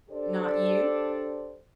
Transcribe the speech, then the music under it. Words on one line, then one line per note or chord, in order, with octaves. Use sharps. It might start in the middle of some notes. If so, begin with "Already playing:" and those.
"Not you?"
D4 G4 A4 C5 D5